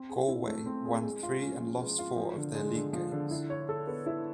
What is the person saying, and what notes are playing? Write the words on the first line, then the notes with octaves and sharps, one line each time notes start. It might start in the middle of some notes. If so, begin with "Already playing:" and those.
Galway won three and lost four of their League games.
Already playing: C4
G#4
E4
A3
C4
G#4
G#3
F4
C#4
F3
G#3
F4
F3
D3
G#3
D3
F3
D3
E4
C#5
A4
B3
E4